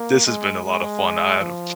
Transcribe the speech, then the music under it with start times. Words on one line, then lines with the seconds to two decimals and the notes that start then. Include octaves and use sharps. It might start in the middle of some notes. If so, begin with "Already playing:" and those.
This has been a lot of fun, I I don't
Already playing: A#3
0.26 G#3
0.65 G#3
1.40 F3